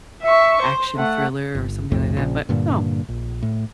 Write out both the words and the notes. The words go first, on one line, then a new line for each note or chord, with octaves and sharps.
action thriller or something like that. But, oh.
E5 C#6
C5
A3 F#5
G1
B1 F2 A2
A#1 C#3
G2 A#2 D3
A#1
A2